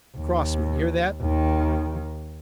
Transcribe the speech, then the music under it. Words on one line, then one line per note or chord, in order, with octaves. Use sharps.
Crossman! hear that?
D#2
D#2 D#3